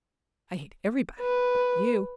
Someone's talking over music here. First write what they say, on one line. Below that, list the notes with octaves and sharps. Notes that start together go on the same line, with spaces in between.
I hate everybody--but you!
B4